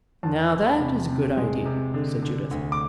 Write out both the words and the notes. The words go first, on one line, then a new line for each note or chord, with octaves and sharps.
"Now that is a good idea," said Judith.
E2 A5
E2
B5
C3
C3
G#3
C3
D3
D3
D2
D6